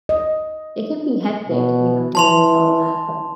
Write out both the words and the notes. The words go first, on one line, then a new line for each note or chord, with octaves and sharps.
It can be hectic, you know, dealing with all that, but
D#5
B2
E3 A5 C6 F7